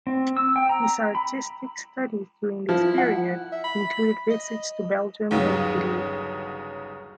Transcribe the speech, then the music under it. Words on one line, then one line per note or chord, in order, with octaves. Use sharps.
His artistic studies during this period included visits to Belgium and Italy.
C4
E6
G5
A#5
B5
F3 E4
F#5
E5
B5
D#5
G1 D#2 C#3 F#3